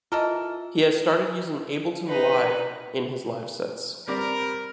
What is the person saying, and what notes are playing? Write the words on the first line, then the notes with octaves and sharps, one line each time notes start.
He has started using Ableton Live in his live sets.
E3 F4 A4 A#4 D#5
D#4 B4
G3 C4 A#4 D5 B5